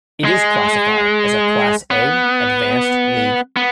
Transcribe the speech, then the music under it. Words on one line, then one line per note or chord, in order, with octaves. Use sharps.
It is classified as a Class A-Advanced league.
G#3
B3
B3